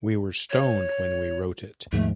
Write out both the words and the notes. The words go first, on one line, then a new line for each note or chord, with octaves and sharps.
We were stoned when we wrote it.
C#5
D#2 G#2 F3 A3